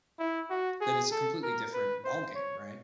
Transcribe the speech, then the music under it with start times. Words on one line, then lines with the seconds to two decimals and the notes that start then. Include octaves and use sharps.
That is a completely different ballgame, right?
0.19 E4
0.50 F#4
0.81 G#4
1.12 A4
1.42 A#4
1.74 B4
2.05 C5
2.35 C#5